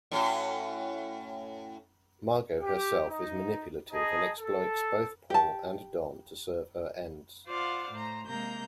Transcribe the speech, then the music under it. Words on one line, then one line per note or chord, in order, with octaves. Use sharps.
Margo herself is manipulative and exploits both Paul and Don to serve her ends.
A2 C#4 F#4
G4
D#4
D#4 G#4 D#5 A5
A4
G4 A5
F4 C5 D5 F5 F#5
A2 C5 A#5
C3 G#3 A#3 A#5 G6